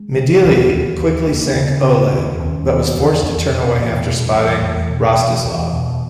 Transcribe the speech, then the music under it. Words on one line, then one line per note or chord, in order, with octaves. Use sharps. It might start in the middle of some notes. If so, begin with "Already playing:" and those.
"Midilli" quickly sank "Oleg" but was forced to turn away after spotting "Rostislav".
Already playing: G#3
C#3
D#2 E3
D#2
D#2
D#2 A#3
B3
C#3
C#4
C#3
B3
D#2 B3
D#2 C#4
D#2 B3
E2 B3
E2
B2
E2 B3
G#3
B2
G3
E2
G3
E2 E3
B2
B2
E2 E3
B2